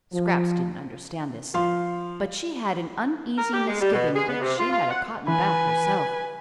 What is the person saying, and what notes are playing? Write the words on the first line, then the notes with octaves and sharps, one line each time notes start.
Scraps didn't understand this, but she had an uneasy misgiving that she had a cotton back herself.
F3
F3 F5 C6
A#4
G4
G#3
G3
B2
G#4
B3
C3
F4
F4
F#5
E3 B4 G#5 B5